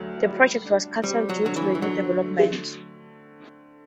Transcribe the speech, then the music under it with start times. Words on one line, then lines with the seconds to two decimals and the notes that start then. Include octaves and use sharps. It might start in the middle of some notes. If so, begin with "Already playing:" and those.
That project was cancelled due to the new developments.
Already playing: D2 F#3 A3
0.26 G3
0.65 D4
1.04 G3 C4
1.29 F#3
1.43 D3 F#3
1.56 E3
1.75 E3
1.82 D3 F#3
2.21 A3